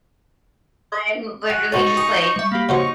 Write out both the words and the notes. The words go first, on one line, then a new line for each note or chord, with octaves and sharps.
I'm literally just like
F#4 G#5
G#2 B2 C#4 D#4 C#6 A6 F#7
G#4 D#6
G3 E5
A#3 G4 F5 B5
C#3 F#3 D#4 C5 C#6